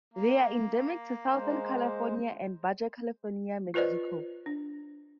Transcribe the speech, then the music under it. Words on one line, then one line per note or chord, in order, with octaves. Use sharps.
They are endemic to southern California and Baja California, Mexico.
A#3
G#3 C5
F4 B4 C5 D5 D#5
D4